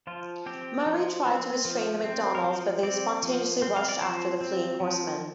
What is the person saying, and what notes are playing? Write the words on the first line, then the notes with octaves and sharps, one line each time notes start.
Murray tried to restrain the MacDonalds, but they spontaneously rushed after the fleeing horsemen.
F3 F4
C4 G4
F3
C4
F3
C4
A#4
F3 C5
C4 D5
F3
C4
F5
D5
F3 C5
C4
F3